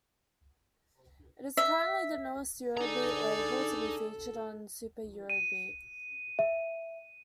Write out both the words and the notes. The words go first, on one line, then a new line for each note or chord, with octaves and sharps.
It is currently the newest Eurobeat label to be featured on Super Eurobeat.
E5
D3 D#4 G#4 A4 D5 A#5
D#7
E5